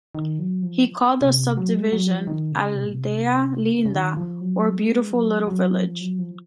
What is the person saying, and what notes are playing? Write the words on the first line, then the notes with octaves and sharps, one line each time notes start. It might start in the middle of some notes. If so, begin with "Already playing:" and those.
He called the subdivision Aldea Linda or Beautiful Little Village.
D#3
F#3
F3
C3
F#3
G#3
F#3
F3
D#3
C#3
C3
A#2
C3
C#3
C#3
D#3
F3
F#3
G#3
F#3
F#3
F3
F#3
F3